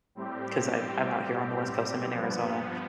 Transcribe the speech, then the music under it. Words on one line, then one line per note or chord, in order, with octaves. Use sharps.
'cause I'm I'm out here on the West Coast. I'm in Arizona.
A2 G3 C4 G4
G2 F3 B3